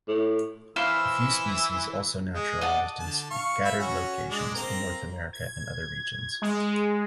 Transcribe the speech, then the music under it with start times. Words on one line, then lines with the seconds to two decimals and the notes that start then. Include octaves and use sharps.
A few species also naturalized in scattered locations in North America and other regions.
0.08 A2
0.76 E3 E4 C5 F5 E6
2.35 G#3
2.61 D5 D#5 F#5 A5
3.00 D3 A5
3.30 F5 C#6
3.64 E5 F5 B5
3.79 C#4 F#4
4.29 G#3 D4
4.55 A#3 C4 A#5
5.33 G#6
6.42 G#3